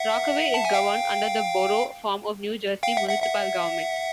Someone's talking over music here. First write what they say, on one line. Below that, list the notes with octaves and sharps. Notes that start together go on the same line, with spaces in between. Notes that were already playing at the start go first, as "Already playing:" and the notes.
Rockaway is governed under the Borough form of New Jersey municipal government.
Already playing: E5 F#5
A5
G#5
F5 G5
F5 G5
E5 F#5
E5 F#5
E5 F#5